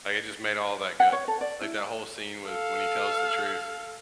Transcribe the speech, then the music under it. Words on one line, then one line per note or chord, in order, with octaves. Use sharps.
like, it just made all that good. Like that whole scene with when he tells the truth
F#5
C#5
A4
D5
E4
A4 F5